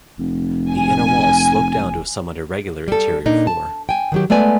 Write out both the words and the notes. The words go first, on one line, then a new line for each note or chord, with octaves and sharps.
The inner walls slope down to a somewhat irregular interior floor.
F1
G#5
G3 A4
A#2 D4 D#4
A5
G5 G#5
D#3 F#3 G4
G#3 A3 B3 D5 G#5